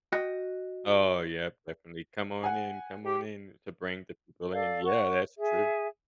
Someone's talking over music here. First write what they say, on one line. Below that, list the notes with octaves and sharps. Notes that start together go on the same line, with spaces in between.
Oh, yep, definitely, "Come on in come on in to bring the people in." Yeah, that's true.
F#4 D#5 G5
F#5 G#5
G4
A4 D5 F5
F#5 C#6
G#4 E5